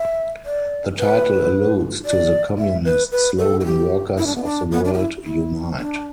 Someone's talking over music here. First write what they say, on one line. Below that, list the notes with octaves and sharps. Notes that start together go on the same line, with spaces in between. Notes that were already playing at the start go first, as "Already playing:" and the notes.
The title alludes to the communist slogan Workers of the world, unite!
Already playing: E5
D5
B4
D5
E5
B4
B4
A4
E4
G4
E4
D4
B3
D4
B3
D4
G4
E4
E4
D4